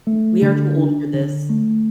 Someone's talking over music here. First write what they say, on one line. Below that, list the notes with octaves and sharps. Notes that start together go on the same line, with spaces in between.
We are too old for this
A3
D3
D4
D3
A3